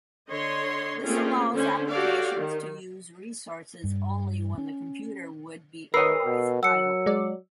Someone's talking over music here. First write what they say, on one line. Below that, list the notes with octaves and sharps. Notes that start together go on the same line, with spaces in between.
This allows applications to use resources only when the computer would be otherwise idle.
D3 C#5 D#5 C6
A3 A#3 C4 C#4 F4 G#4
D3 C#4 C5
F#4 G4 A4 C#5 D5 F5
D#3
G2
C#4
D#3 A#4 B4 C#5 D#6 E6 C7
B2
F#3 F#5 E6 C#7
G#3 D5